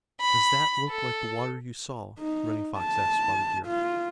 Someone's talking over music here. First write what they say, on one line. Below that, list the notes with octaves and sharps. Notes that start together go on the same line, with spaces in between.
"Does that look like the water you saw!" Running Fox asked Spotted Deer.
B5
A4
D#4
A5
F4